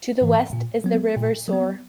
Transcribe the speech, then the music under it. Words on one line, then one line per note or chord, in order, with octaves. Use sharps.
To the west is the River Soar.
G#2 E3
A#2
F#3 B3
A#2
F#3 B3